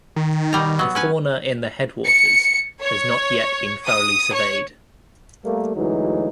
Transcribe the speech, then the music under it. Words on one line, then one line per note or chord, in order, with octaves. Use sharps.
The fauna in the headwaters has not yet been thoroughly surveyed.
D#3
B2 G3 A#5
F#3 B3
C#4 B4 G#5
C#7
C#5
D#6
C#5
G3 A3 A#3
D2 E3 F#3 G#3 D#4